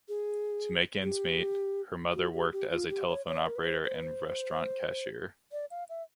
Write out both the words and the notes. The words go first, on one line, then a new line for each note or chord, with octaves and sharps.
To make ends meet, her mother worked as a telephone operator and restaurant cashier.
G#4
G4
F#4
G4
G4
F4
G4
C#5
C#5
D5
A#4
B4
C5
C5
B4
C5
D5
F5
E5